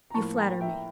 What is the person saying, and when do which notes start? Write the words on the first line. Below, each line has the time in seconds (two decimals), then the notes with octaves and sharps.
"You flatter me!"
0.10 A#5
0.14 A2 F3 A#3 A5 C#6
0.37 G5 A#5
0.61 E5 G5